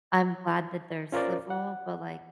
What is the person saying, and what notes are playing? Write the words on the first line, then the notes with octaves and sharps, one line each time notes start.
I'm glad that they're civil, but, like,
C#4 F4 A#4 C5 D5
F#5